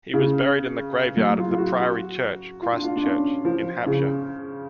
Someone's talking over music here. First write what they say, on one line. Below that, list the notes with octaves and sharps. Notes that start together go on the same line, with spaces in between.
He was buried in the graveyard of the Priory Church, Christchurch in Hampshire.
C#3
F#3
F4
F4
F#4
F#4
F4
D4
F4
D4
C#4
F3
C#3